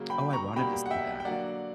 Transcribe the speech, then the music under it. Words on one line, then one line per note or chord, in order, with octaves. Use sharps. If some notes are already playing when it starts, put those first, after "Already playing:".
Oh, I wanted to see that.
Already playing: C#3 F#3 A#3
G5 B5
A#5 C#6
B2 G3 A#3 G5 B5
F#5
E5 G5
G5
D3 F#3 A#3 D5 F#5